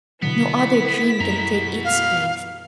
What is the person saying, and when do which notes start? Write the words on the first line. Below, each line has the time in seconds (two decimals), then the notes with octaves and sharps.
No other dream can take its place.
0.22 B2 D3 F#3 B3 E4 B6
1.20 F#2 B2 A#5
1.85 F5